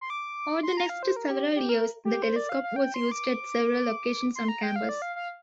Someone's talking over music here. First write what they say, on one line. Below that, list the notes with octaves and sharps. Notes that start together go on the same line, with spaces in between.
Over the next several years the telescope was used at several locations on campus.
C6
D6
C6
A#5
F5
C5
A#4
G4
G4
A#4
G4
C5
D5
F5
F5
G5
C6
D6
C6
A#5
G5
F5
D5
F5
F5